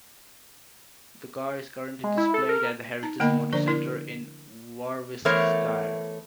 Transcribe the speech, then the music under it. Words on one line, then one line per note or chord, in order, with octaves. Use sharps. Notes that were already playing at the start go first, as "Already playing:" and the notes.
The car is currently displayed at the Heritage Motor Centre in Warwickshire.
G#3
E4
A4
A#4
D#4 A#5
D3 A#3 B3 A#4 D#5 B5
D3 F3 D4 C5 D5
E4 A#4
E3 A3 B3 A#4 C5 C#5